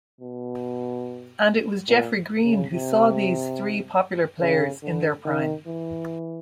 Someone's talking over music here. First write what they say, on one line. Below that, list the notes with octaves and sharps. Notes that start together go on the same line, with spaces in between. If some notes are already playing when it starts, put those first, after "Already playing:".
And it was Geoffrey Green who saw these three popular players in their prime.
B2
A#2
C#3
C3
C#3
D3
D#3
E3